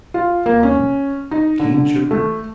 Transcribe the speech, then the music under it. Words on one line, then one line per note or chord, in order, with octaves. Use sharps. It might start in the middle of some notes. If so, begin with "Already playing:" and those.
Wine. Cane sugar.
F4
A#3
C#4
D#4
D3
D3
A3